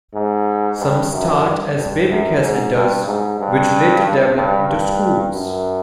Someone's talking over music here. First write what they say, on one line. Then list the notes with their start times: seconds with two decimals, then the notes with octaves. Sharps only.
Some start as babycare centres, which later develop into schools.
0.14 G#2
0.79 G2
1.12 F#2
1.44 G2
1.77 G2
2.10 F#2
2.42 G#2
2.74 G2
3.06 G#2
3.40 G2
4.37 G2
4.69 G2
5.35 F#2